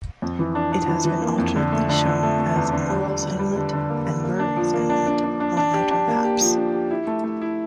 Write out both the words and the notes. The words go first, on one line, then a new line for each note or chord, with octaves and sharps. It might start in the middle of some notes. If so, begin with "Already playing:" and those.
It has been alternately shown as "Morrall's Inlet" and "Murrays Inlet" on later maps.
F2
E3
D4
D4
E3
E3
A#3
F2
D3
A3
D3
D3
A3
A3
E2
D3
G3
D3
D3
G3
D3
D3
A#3
D3
A#3
D4
F3
A#3
D4
D4
D4
D4
D4
G4
D4
A#3
G4
F3
D4
G4
E4
A3
A3
E4